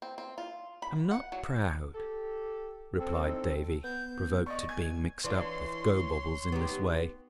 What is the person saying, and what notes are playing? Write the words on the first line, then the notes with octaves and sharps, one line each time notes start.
"I'm not proud," replied Davy, provoked at being mixed up with Gobobbles in this way.
C4
C4
F4
B5
F#5
F#3
G4 A4
C4 A4
A2 G3 D#4
B3 G6
D5 D#5 C#6
G#5 G#6
E3 D4 F4 C#5 C6
B3 D#4 G4